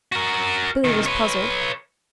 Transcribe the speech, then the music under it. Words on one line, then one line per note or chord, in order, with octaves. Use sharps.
Billy was puzzled.
F#4 A#4
C3 D#3
B4 C#5